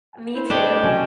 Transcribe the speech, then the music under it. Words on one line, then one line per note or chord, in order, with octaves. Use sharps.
Me too.
E4 C5
A3 D4 G4 D#5
C#3 F#3 C#4